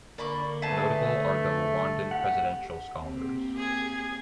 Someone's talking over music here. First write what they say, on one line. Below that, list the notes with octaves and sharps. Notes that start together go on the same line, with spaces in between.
Notable are the Rwandan Presidential Scholars.
D3 A#3 D5 B5 C#6
A3 G#4 B4 E5 A5
G4 F#5
A#3 C4 G4
G#4 G#6